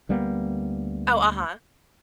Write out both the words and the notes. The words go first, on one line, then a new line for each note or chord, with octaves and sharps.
Oh, uh-huh.
D2 G3 A#3 B3